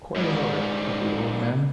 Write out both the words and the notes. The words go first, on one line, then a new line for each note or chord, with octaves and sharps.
Quite in order, Tuppy, old man.
G#2 G3